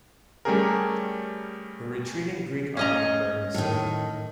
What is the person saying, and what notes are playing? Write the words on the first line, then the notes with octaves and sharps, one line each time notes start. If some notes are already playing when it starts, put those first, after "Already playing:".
The retreating Greek army burned the city.
G3 A3 C#4 G4 G#4 A#4
C#4 D#5 A#5
A2 D#3